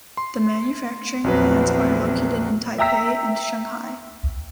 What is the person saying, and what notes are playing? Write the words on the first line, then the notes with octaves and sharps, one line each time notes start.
The manufacturing plants are located in Taipei and Shanghai.
C6
A#1 E2 F#3 C4 B4
E5 G5 A#5 E6 B6